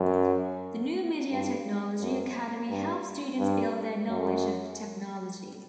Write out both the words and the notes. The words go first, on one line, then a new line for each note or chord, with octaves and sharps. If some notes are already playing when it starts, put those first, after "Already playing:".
The New Media Technology academy helps students build their knowledge of technology.
Already playing: F#2
G2
F#2
G2
G2
F#2